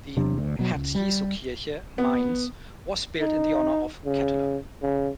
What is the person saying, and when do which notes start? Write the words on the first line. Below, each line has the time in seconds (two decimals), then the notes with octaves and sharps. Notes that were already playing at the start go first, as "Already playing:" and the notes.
The Herz-Jesu-Kirche, Mainz was built in the honour of Ketteler.
0.17 E2 C3 F#3 D4
0.38 D2
0.59 B2 F#3
0.75 C#2
0.95 G3
1.98 B3
3.20 D#4
4.05 C#3
4.82 C#3